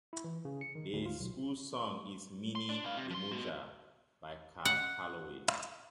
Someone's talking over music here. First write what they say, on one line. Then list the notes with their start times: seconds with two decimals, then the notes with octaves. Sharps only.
The school song is "Minnie the Moocher" by Cab Calloway.
0.13 E4
0.24 E3
0.45 C#3
0.61 C#7
0.75 D#3
0.93 D2
1.06 F4
1.20 B1
2.55 C6
2.69 D4
2.85 B4 F5
2.97 C3
3.10 F3 C6
3.31 B3 F#4
4.65 F#5